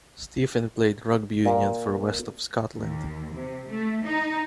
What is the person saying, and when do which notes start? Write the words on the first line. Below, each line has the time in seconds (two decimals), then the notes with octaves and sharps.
Stephen played rugby union for West of Scotland.
1.45 A#2 A#4
2.77 D#2
3.34 C3
3.68 A3
4.03 D#4